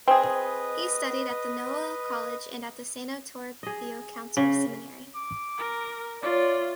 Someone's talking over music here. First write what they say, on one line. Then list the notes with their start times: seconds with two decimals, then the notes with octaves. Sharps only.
He studied at the Noel College and at the Santo Toribio Council Seminary.
0.08 C4 G#4 B4 D#5
3.63 G#4 D#5
4.37 C#3
5.15 D6
5.58 A#4
6.23 F4 C#5 D5 E5